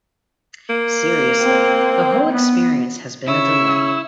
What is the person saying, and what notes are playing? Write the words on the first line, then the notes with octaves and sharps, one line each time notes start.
Seriously, the whole experience has been a delight.
A#3
C4
B3
C#3 E4 C#5 E6